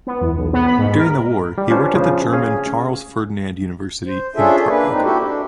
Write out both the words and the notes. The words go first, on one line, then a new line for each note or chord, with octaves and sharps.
During the War, he worked at the German Charles-Ferdinand University in Prague.
B3
E2
B1
B3
B5
G#2
A#4
G3
C#4 D4 F4 B4 C5
C#3 F3
C#4 G#4 F5
C5
C#4 D4 F4 G#4 A4 E5
A#3 D4 B4
G#2 C4 D#4
E4 F#4 G4 A4
D4